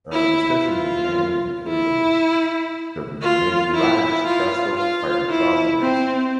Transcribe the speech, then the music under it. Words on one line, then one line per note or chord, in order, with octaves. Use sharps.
The station was named because of the many rags cast off by the travelers.
E4
F4
E4
F4
E4
F4
F4
E4
C4